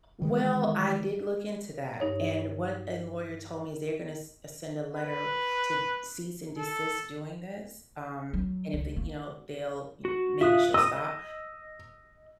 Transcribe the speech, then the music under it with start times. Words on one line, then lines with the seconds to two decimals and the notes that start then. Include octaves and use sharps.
Well, I did look into that, and what a lawyer told me is they're gonna s send a letter f to cease and desist doing this. Um, and if they, you know, they'll y maybe she'll stop.
0.22 D#3 E3 G#3
2.00 G2 D#4 C#5
4.96 B4
6.58 A4
8.33 F#3
8.73 C#2
8.96 A#3
10.05 F#4
10.41 F4 E5 D#6 F#6
10.74 D#5 D#6 E6
10.97 D#5